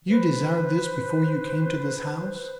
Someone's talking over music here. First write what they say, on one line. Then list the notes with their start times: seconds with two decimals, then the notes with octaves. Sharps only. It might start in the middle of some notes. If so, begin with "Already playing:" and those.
You desired this before you came to this house?
0.07 B4 C5